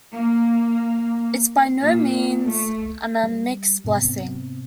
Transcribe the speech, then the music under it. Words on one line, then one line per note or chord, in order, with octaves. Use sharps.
It's by no means an unmixed blessing.
A#3
A#2
A3
G3
G#2 C3 B3 C4